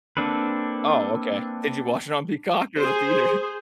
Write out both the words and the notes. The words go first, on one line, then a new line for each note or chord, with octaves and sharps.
Oh, okay. Did you watch it on Peacock or the theater?
A#3 C4 D4 A4 B4
G#4 C5